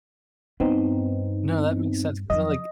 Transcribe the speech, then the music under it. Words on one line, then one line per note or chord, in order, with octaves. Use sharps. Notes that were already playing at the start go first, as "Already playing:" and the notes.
No, that makes sense, 'cause I like
G2 B3 C4 D#4
F2 F#3 D#5